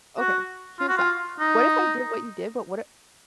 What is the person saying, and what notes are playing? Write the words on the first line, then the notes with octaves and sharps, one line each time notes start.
okay, here's up, what if I did what you did, but what I
F#4
F4
F#4
F4
D#4